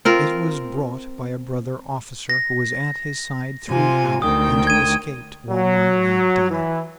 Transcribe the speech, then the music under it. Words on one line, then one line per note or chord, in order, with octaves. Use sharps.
It was brought by a brother officer who was at his side throughout, and who escaped while my lad died.
C4 F4 A#4
A#6
C3 F4 G#5
D2 D#3 G5 D#6
G#6 D#7
F#3
E3